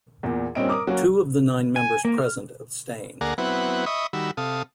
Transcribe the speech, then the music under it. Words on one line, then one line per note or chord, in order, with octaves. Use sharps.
Two of the nine members present abstained.
E2 A#2
G2 A#2 C4 C#4 D#5 D7
A#4 D6 D#6
F#3 A#3 C#4 F#4
G#5
A#3
F6
D2 A#3 G#4 D5 F#5 A#5
F#3 B3 C4 E4 B4 F#5
D#5 E5 B5 C#6 D#6
D#3 G3 F#4 B5 E6
C3 A4 F5 D#6